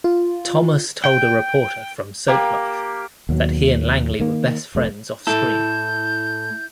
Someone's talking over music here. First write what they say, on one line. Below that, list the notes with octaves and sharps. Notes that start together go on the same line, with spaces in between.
Thomas told a reporter from "Soaplife" that he and Langley were best friends off-screen.
F4
G5
A#3 G4
D#2 B2 F#3
D#3 A#3
F1 A3
A2 E4 A4 G6